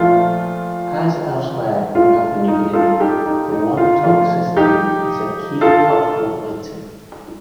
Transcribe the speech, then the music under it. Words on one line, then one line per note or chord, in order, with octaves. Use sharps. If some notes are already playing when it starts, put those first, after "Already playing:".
As elsewhere in Papua New Guinea, the wantok system is a key cultural item.
Already playing: A#2 F3 A3 F4
A#2 A3 F4
D#4
F4 A4
D#4 G4
D#4
D#4
F4
A#2 F3 A3 F4
D#4 G4
F4 A4